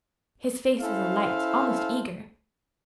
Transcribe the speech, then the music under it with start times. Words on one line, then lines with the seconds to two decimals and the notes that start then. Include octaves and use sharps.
His face was alight, almost eager.
0.81 C#4 E4 A4 C5 F5